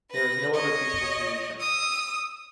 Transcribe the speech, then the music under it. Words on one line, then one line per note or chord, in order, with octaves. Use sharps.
There is no other peaceful solution.
B4 A#6
C#5 D#5
D#6 E6